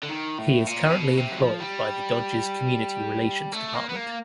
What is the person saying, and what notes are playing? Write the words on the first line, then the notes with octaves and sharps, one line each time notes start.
He is currently employed by the Dodgers Community Relations Department.
D3
D#3
A2
A#2
C3
B2
C3
F#3
F3
G3
A3
A#3
B3
A#3